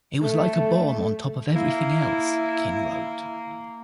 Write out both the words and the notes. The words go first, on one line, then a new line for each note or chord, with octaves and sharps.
"It was like a bomb on top of everything else", King wrote.
A3 A4
A#3 E4